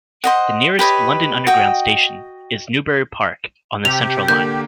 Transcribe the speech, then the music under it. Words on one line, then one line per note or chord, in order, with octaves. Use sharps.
The nearest London Underground station is Newbury Park on the Central line.
C5 D#5 F#5
G4 B4 C#5 D#5
F#4 D#5 G5
C3 G4 F7
D3 A#3 G6